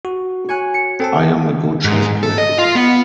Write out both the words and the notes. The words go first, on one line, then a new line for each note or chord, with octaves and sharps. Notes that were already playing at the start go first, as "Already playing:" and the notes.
I am a good chess player.
F#4
C#5 G#5 F#6
C#7
C4 A4 G5 A5
G#2
A4
D#5
F4
B3